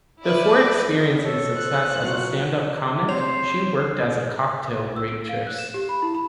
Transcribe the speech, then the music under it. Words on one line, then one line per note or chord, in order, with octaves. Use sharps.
Before experiencing success as a stand-up comic, she worked as a cocktail waitress.
E4 B4 D5
A4 C#5
C5 F#6
F#3 F4 F#4 F#5
C3 C5 C#5
E6
D7
F5
F#6
E7
G4
B5
E4
B5